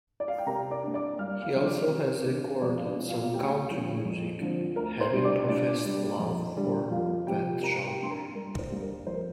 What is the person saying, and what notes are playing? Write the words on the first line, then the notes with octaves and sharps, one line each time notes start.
He also has recorded some country music, having professed a love for that genre.
D5
F5
G5
C3 A#4 A#5
D5 D6
A#3 D4
D5 D6
G2 F5 F6
F5 F6
D3 F3 C4
D5 D6
C3
A#3 D4
F2 D5 D6
F5
D4 D5
F3 C4
F4 F5
F5
D2 G4 G5
D3 F3 C4
F2
D3 F3 C4
D2 A#4 A#5
C5 C6
C3 G3 D4 C6
D5 D6
A#2 D4 D5
G3 D4
F2
D3 G3
F2 F4 F5
C3 F3 G4 G5
C3 A#4 A#5
G4 G5
A#3 D4 C6
A#4 A#5
G2 A#4
C5
G3 A#3 D4
A#4
F2 C5
A#4